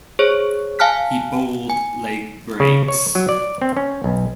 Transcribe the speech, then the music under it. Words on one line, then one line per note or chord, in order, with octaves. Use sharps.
He bowled leg breaks.
G#4 C5 C#5
F5 G#5 A5 F6 F#6 B6
G#5
C#3
C#5
F#3
D5
C4
C#4
B1